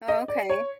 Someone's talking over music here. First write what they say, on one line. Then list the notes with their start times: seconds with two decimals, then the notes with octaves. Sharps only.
Oh, okay.
0.08 D#5
0.28 D5
0.50 C#5